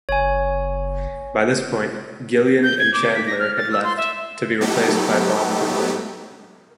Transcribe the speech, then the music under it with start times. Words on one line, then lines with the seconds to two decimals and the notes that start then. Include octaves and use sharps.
By this point, Gilliand and Chandler had left, to be replaced by Bob Goodwin.
0.09 F#1 C#5 G#5
2.63 G6
2.78 G#6
2.94 D6
3.14 B6
3.27 A#6
3.39 F6
3.57 A6
3.72 E6
3.84 C6
3.97 E5
4.61 F#3 A3 B3 D#4 G4 A4